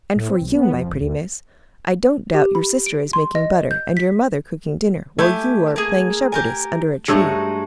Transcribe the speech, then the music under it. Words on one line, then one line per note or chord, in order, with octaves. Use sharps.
"And for you, my pretty miss, I don't doubt your sister is making butter and your mother cooking dinner, while you are playing shepherdess under a tree."
A2
C4
B1
B3
F2
G#1
D2
G4
B5
D7
C6
D#5
G6
B6
A3 E4 G4 G#5
A#3 G#4
G4 A#4 G#5
G2 G#3 A3 D#4 F#4 C#5